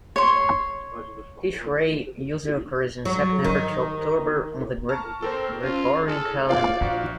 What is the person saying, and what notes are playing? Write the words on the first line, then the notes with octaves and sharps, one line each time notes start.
Tishrei usually occurs in September-October on the Gregorian calendar.
C#5 C6
F#3
D#3
A5 A#5 C#6 F6
C4 A4 A#4 C5
C#4 F4
G#4 A4 F6
F4 C5 D5 F5
A#1 F#4